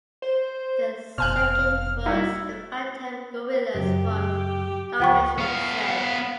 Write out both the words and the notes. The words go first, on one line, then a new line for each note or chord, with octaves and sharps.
The second was The Phantom Gorillas from Dimension-Z!
C5
F1 B2 C5 F5 G#5 F6 F#6
G3 D#4 E4 F#4
F#2 C#3 F#3 G4
C#2 F3 F#5 G5 C#6
B3 F5